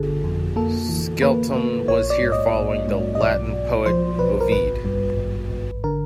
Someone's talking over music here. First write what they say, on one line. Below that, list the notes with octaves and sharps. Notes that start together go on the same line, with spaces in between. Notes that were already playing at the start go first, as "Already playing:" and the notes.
Skelton was here following the Latin poet Ovid.
Already playing: G1 D3 G#4 A4
F2
A#3 A4
E3
A#3 B4
A#3
A#1 C#5
D5
G#2
D#5
A#1
G#2
D#5
B1 D5
B1
F3 C5
B1 B4
A#4
G#1 B4
G2
G#1
G#1
D3 A#4